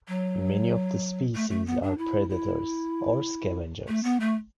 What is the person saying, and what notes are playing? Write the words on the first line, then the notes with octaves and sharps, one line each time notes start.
Many of the species are predators or scavengers.
F#3
A3
A3
B3
D4
E4
E4
A3
B3
A3